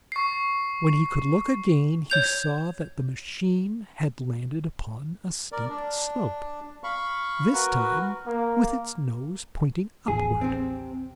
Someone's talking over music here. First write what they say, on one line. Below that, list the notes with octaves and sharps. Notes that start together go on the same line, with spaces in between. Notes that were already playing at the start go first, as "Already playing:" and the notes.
When he could look again, he saw that the machine had landed upon a steep slope, this time with its nose pointing upward.
C#6 C7
C#5 G6 F7
A#4 D5
D4
F5 B5 C#6
F#4 A#4 B4
A#3
A1 D#2 G#4
C3 C4